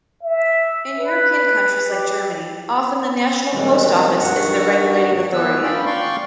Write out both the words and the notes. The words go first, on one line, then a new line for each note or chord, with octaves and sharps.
In European countries like Germany often the national Post Office is the regulating authority.
E5
B4
G4
B2 D#3 E3 G3 G#3 C4
G2 D#3 F#4 F#5
D#3 B3 B4 E6
C#4 D4 F4 D5 G5 B5
D5 F5 G5 C6 C#6